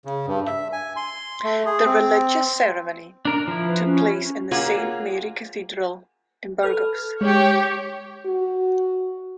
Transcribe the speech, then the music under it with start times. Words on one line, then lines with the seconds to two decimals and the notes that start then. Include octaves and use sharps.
The religious ceremony took place in the Saint Mary Cathedral in Burgos.
0.05 C#3
0.27 G2
0.47 E5
0.72 G#5
0.96 C6
1.44 A3
1.66 G#4
1.85 C4
3.25 D4 A#4
3.48 F3 E4
3.66 B4
3.86 C#4
4.51 A#3 C#4 F4 F#4 G#4
6.63 A4 B4 F6
7.21 G#3 G4 C#5
8.26 F#4